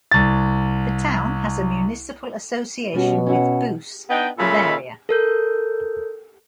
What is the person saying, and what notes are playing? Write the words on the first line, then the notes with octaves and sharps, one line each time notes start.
The town has a municipal association with Boos, Bavaria.
C2 A6
B2 G3 C#4 F#4
C#4 E4 F#5
B3 D4 D#4 D#5 G5
A#2 C#3 A4 E5 F5 B5
A4 A#4 G6